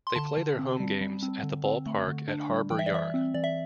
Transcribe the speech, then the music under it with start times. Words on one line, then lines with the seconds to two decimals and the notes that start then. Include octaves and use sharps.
They play their home games at The Ballpark at Harbor Yard.
0.07 C6
0.16 D3 A5
0.38 D3
0.59 C4
0.80 G3
1.01 G3
1.23 C4
1.43 D3
1.65 C4
1.86 A3
2.07 D3
2.28 D4
2.50 G3
2.70 E3 G5
2.79 E5
2.86 D5
2.92 E3 E5
3.14 C4
3.34 E3 D5
3.44 E5